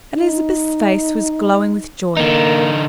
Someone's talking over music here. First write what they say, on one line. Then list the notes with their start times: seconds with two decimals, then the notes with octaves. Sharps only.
Elizabeth's face was glowing with joy.
0.20 D#4
2.17 D3 A#3 D#4